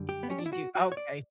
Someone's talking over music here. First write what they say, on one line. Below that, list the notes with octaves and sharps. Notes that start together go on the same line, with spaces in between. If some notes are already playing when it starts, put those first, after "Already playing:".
Oh, you do? Okay.
Already playing: F#2 D3 G3
G4
B3
C#4
D4
E4
F#4
F#4
C#5
D5